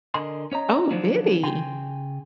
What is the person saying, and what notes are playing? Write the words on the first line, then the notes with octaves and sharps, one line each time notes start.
Oh, did he?
D3 A#4 D#5 G#5 C6
C#4 C#5 D#5 A#5
D#3 F3 F#3 C4 D4
C#3 G5 G#5 C6